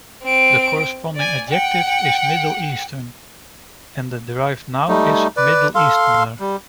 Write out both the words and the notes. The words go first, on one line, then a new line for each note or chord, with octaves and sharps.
The corresponding adjective is "Middle-Eastern" and the derived noun is "Middle-Easterner".
C4 D7
D5 G#5
F#5 G5
G3 A3 D#4
B4 D5
A4 F5 C6
G3